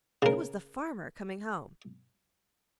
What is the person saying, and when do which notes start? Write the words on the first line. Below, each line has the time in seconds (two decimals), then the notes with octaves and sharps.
It was the farmer coming home.
0.22 C#3 A#4